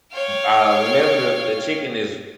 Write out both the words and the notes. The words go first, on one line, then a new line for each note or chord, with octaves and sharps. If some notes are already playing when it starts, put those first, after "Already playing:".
uh, whenever the the chicken is
C#5 F5 G5